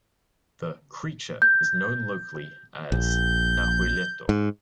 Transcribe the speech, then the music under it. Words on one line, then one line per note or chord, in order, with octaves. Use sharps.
The "creature" is known locally as "Nahuelito".
G6
A#1 G6
G#2